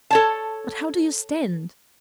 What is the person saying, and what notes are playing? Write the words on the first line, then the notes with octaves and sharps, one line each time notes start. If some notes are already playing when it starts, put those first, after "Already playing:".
'But how do you stand?
A4 C#5 A5